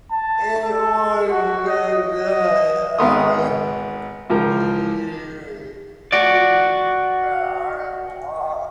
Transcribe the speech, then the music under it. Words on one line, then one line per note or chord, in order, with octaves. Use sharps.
It was just, 'Hey, I'll see you in nine months.
A5
A4
F#4
D#5
D#5
G#1 B3 C6 D#6
C#2 F3 A#4
F#4 D5